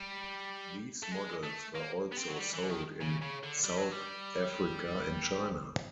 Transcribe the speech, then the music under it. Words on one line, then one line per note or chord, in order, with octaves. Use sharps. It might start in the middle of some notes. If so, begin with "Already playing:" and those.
These models were also sold in South Africa and China.
Already playing: G3
A3
G#3
A3
A#3
B3
C4
F#3
G3
E3
D3
D#3
C#3
C#3
D3
G3
F#3
G3